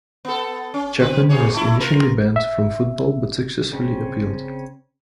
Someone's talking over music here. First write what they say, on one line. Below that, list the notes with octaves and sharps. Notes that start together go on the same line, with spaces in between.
Chapman was initially banned from football but successfully appealed.
B3 A4
C#4
D3 C4 B4
B2 G#4 C#5
A3 E4
F4 A#4 B4
E5
C#3 C4 C#4